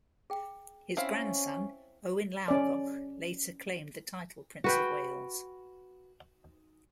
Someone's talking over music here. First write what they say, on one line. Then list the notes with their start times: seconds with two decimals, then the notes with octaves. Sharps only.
His grandson, Owain Lawgoch, later claimed the title Prince of Wales.
0.30 G#4 G5
0.97 C4 C#4 E4 F5
2.48 C#4 D5
4.64 F#4 B4 G5